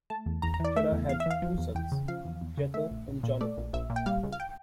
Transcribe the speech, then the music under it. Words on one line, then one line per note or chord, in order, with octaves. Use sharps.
Jada had two sons, Jether and Jonathan.
A3 A5
E2
E2 A#5
A#5
E3 D5
A3 E5
E2
E2 F5
E5
E3 F5
F3
E2
E2 G5
C#3
F3 F5
E2
E2
C#3
A3 E5
A#1
A#1
A#2
A3 D5
A#1
A#1 E5
A#2
G5
G3 F5
C#2
F5
G5